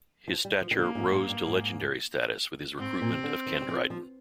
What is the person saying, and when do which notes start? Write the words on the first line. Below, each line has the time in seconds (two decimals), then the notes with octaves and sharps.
His stature rose to legendary status with the recruitment of Ken Dryden.
0.28 F3
0.45 G3
0.61 F3
0.71 D#3
0.78 D3 A#3
0.95 G#2
1.12 G#2
1.29 G2
1.45 G#2
2.79 G#2 C4
3.02 A#2
3.13 C3
3.24 D3
3.46 D#3
3.61 G3
3.69 F3
3.90 F3